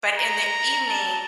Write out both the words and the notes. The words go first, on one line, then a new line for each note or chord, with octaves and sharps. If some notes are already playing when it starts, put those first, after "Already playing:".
But in the evening
A#5
A5